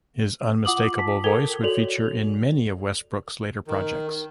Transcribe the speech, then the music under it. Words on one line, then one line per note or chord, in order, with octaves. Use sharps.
His unmistakable voice would feature in many of Westbrook's later projects.
F4 F#5 D6 D#6 F#7
A5 B6
A4 A#4 G5 G#6 F7 G7
F#4 A4 C#5 D5 F7 F#7
D#3